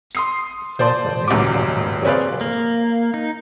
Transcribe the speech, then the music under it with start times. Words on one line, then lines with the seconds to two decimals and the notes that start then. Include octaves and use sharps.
Surfer leaning back on surfboard.
0.15 C6 D#6 C7
0.79 C5 D5 A5 C6
1.28 D#1 C#2 F#3 G4 D6
2.05 C4 G#4 B4 C#5 D5 F5
2.41 A#3
3.14 D#4